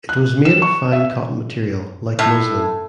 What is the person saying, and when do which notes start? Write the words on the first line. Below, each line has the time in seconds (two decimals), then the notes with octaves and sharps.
It was made of fine cotton material like muslin.
0.09 F#6
0.45 E7
0.62 C#6
0.92 E5
2.19 A2